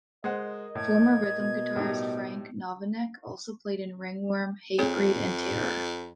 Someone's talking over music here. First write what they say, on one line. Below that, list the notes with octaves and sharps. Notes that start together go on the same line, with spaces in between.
Former rhythm guitarist Frank Novinec also played in Ringworm, Hatebreed, and Terror.
G#3 A#4 C5 D#5 F#5
A2 G#6
B2
A2 G3 D#4
F2 C4 G#4 C#5